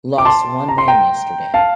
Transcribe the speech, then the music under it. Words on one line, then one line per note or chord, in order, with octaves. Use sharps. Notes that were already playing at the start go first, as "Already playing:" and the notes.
Lost one man yesterday.
D6
A5 C6
A#5
C6
G5 A#5
F5 A5